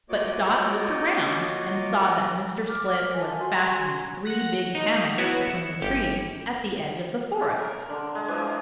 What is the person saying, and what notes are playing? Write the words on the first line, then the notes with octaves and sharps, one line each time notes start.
But Dot looked around and saw that Mr. Split was fastening three big hammocks between the trees at the edge of the forest.
A#3 F4 F#4 C#5 D#5 D6
D6 F6
F4 A4 G#5
F#4 G#5 C6
F#5 A#6
D#4
B3 E4 F#4 C#5
C#7 E7
G1 G4
A#4
D3 C6
G#3
E3 F3 G#3 D4